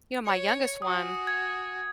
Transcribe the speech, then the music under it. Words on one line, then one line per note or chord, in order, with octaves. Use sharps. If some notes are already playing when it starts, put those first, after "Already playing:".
you know, my youngest one
C#5
F#4 G#5 D#6
G#6